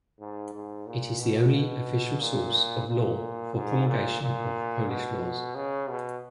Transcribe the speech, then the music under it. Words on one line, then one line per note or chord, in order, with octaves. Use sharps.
It is the only official source of law for promulgation of Polish laws.
G#2
G#2
A#2
B2
A#2
A#2
G#2
A#2
A#2
B2
C#3
B2